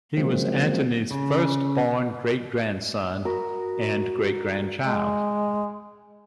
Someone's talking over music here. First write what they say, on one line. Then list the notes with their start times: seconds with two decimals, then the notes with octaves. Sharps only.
He was Antony's first born great grandson and great grandchild.
0.17 C#3 F3 F#3 G#3 A#3 C4
1.11 C#3
3.25 F#4 A#4 B5 D#6
4.86 G#3